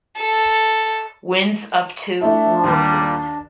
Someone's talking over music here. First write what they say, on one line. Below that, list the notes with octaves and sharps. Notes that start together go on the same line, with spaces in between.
Winds up to were reported.
A4
A3 D4 E4 A5
D#2 A#2 G3